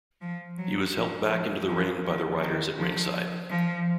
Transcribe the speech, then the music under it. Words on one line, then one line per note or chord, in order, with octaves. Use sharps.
He was helped back into the ring by the writers at ringside.
F3
F#3
F3
F3
F3
F3
D#3
F3
F3